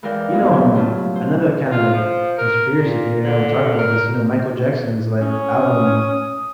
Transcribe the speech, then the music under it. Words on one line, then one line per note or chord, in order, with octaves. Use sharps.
You know, um, another kinda, like, conspiracy theory, now we're talking about this, you know, Michael Jackson's, like, album,
E3 G#3 A#4 D5 F5 G5
A2 F#3 B3 D#4
G2 A#2 C#3 E3 C#4
C#3 F#3 A3 C#4 E4 F4
C5
F4
F3
A#4
A#2
D3
A#4
C#4 D#6